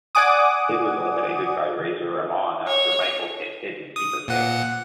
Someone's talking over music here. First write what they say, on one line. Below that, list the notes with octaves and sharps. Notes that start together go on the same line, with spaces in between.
Sid was eliminated by Razor Ramon after Michaels hit Sid with superkick.
D5 F#5 G#5 D6 D#6
C#5
D#6
A#2 F#5